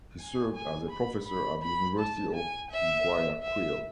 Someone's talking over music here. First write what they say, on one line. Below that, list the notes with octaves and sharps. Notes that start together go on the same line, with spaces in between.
He served as a professor at the University of Guayaquil.
G#5
G#5
B5
B5
B5
A5
G#5
E5
E5